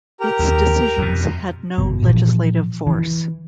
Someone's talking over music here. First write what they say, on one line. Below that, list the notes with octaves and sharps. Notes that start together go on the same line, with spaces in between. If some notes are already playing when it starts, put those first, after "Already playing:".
Its decisions had no legislative force.
G4 A#4 A#5
D#2
F2 B2
G1 B2
A#2 E3 F3
E3